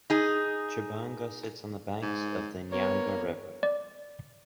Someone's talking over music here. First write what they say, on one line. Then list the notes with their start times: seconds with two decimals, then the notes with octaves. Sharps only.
Tchibanga sits on the banks of the Nyanga River.
0.10 D#4 G#4
2.02 G#2
2.70 A#3 B3 C#5
3.63 D5